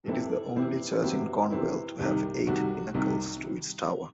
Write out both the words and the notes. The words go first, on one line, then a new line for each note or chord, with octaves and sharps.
It is the only church in Cornwall to have eight pinnacles to its tower.
C3 E3 C4 E4 A4
C3 E3 C4 E4
C3 E3 C4 E4 F#4
C3 E3 C4 E4
C2 C3 D#3
C2 C3 D#3 F#4
C2 C3 D#3